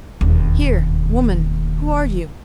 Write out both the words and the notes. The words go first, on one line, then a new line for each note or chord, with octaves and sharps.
Here! woman, who are you?
E1 D#2